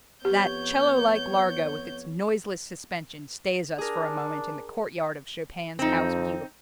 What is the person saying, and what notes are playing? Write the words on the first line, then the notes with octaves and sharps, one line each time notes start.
That 'cello-like largo with its noiseless suspension stays us for a moment in the courtyard of Chopin's House Beautiful.
F2 B3 G4 C#5 G6
D4 G#4 A#4
F2 C4 D#4